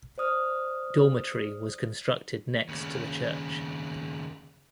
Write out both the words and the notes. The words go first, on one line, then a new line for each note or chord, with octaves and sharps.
Dormitory was constructed next to the church.
C5 D5 D#6 F6
D#2 C#3